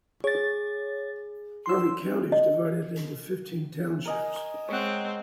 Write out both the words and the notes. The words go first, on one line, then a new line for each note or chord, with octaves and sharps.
Harvey County is divided into fifteen townships.
G#4 C#5 A6
C6 E6
D#5
A#4 D#5 G#5
G#3 C4 C#5 F#5